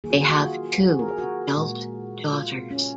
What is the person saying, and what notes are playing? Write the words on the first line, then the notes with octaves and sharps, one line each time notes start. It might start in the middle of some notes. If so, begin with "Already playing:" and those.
They have two adult daughters.
D#3 F#3 A#3 G#4
F#4
G#4
F#4
F4
F#4
G#4
A#4
G#4
F#4
A#2 G#3
F4
C#4